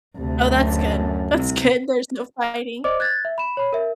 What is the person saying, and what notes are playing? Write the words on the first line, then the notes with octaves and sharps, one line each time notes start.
Oh, that's good. That's good, there's no fighting.
D2 C3 A3
F#2
C2 C3
C5 D5 D#5 D6
F#6 G#6 A6
E5
B5 E7
C#5 B5
A#4 E5